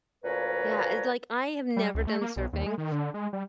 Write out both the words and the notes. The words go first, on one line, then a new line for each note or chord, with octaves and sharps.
Yeah, it's like, I have never done surfing.
D2 A#2 F3 B4 C#5 A#5
G3
C#2
A3
A#3
B1
D#2
G#3
D#3
D3
G#3
G3